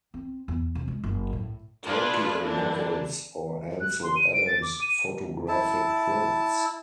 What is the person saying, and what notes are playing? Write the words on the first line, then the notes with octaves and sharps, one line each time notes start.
Tolkien novels, or Ansel Adams photographic prints.
C4
E2
C3
G#3
F#1
A2
D4 F4 G#4 B4 D5 E5
D3 E3 A#3 D4
F#6
C6
D#7
D7
A6
D6
D#7
E4 A5